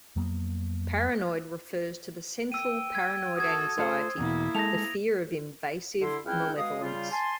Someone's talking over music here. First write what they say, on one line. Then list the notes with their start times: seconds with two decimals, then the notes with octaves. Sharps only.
Paranoid refers to the central paranoid anxiety, the fear of invasive malevolence.
0.16 F2 F#3 A#3 B3
2.52 G5 E6 D#7
2.95 G#6
3.36 F#4 A4 D#6 G#6
3.78 A3 F4 A4 C5
4.18 E2 B2 A#3 E4
4.55 G#3 A4 A5 A#6 F7
6.02 D3 E4 C6
6.25 C#2 C4 E4 F#5 G5 F6
6.56 B2 G#3 F5 D#6
6.81 C#3 G3 F4
7.11 G#5 A5 C6